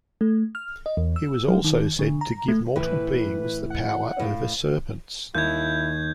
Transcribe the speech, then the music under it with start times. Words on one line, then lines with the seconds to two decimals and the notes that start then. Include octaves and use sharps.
He was also said to give to mortal beings the power over serpents.
0.21 A3
0.55 F6
0.86 D#5
0.97 E2
1.16 E6
1.48 F#3
1.64 D#3
1.99 D3
2.21 A#5
2.48 A3
2.76 A2 E3 B4
3.70 F#5
4.19 A2 F5
5.35 D#2 E4 G6 G#6